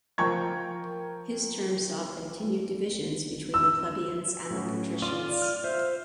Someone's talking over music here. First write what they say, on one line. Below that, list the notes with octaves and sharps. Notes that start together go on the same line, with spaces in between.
His term saw continued divisions between the plebeians and the patricians.
F3 A#4 G5 A#5 C#6 G#6
E6
A2 F#3 C#4
F4 D5 C6 D#7
F6
C5 E5